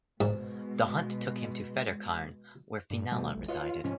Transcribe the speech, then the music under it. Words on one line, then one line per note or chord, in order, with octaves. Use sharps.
The hunt took him to Fettercairn, where Finella resided.
G#2 B2 G#3
G2
B2 G3 A3
A#1
F4 B4 C#5 D#5
G#2 C3 F3 C#4